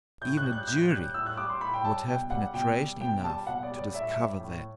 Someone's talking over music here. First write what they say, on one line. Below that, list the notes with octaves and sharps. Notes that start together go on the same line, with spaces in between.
Even a jury would have penetration enough to discover that.
A2 G6
F#6
G3
F#6
A2 G6
G3 F#6
A2 E6
F#6
G3 D6
C6
A2 B5
G5
G3 A5
B2 G5
G3 F#5
B2 G5
G3
B2 G5
G3 A5
B2 F#5
D5
G3
D5
A2 E5
G3
A2